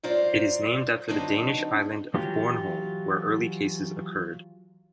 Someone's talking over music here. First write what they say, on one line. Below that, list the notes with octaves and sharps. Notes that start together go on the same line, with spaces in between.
It is named after the Danish island of Bornholm where early cases occurred.
G#2 F#3 F4 C5 D5
D3 F#3 B3 C4 D4 D#4
E3 F#3 F4 G4